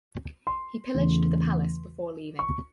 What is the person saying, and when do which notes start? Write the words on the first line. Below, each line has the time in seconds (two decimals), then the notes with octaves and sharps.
He pillaged the palace before leaving.
0.47 C6
0.94 E2 C#3 E3 A3
2.39 C#6